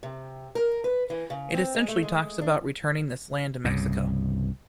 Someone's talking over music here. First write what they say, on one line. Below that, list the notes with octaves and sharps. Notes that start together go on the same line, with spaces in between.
It essentially talks about returning this land to Mexico.
C3
A#4
B4
E3
C#3
C4
G#3
A3
G#3
D4
C2 G2 C#3